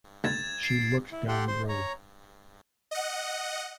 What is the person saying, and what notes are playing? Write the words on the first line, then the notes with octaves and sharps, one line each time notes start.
She looked down the road.
D2 G#6 A6 E7
C7 D7
E4
G4 A4 F#5 G5 C6
C5 C6
C#5 A#5
D#5 F#5